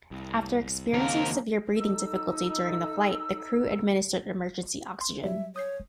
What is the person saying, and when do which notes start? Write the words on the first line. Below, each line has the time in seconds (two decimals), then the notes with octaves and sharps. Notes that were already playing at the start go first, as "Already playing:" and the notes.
After experiencing severe breathing difficulty during the flight, the crew administered emergency oxygen.
0.11 C2
0.93 D#2 C#3 F3 F#3 A#3 C4 A#4
1.77 D#4 A4 E6
5.01 C6
5.24 F#3 G3 E5
5.56 C#5 D#6 G6 C7